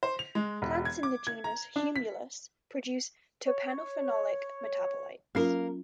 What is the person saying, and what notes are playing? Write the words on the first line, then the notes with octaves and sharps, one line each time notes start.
Plants in the genus "Humulus" produce terpenophenolic metabolites.
C5
F7
G#3
E1
G#6
D6
G#6
A#5
D4
B6
C#5
F#3 A#3 C#4 F4 A#4